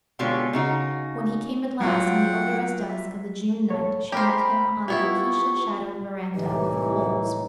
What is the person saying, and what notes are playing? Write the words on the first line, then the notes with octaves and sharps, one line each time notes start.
When he came at last in the odorous dusk of the June night she met him on the acacia-shadowed verandah with cold sweetness.
B2 D3 G#3 F4 G4 C#5
C#3 D#4 F#4
F#3 F4 F#5 G5
E5
A4 C#5
G4 C5 A#5 B5 F6
A#3 B3 E4 F4 G4 C#6
C2 A2 E3 D#4 G4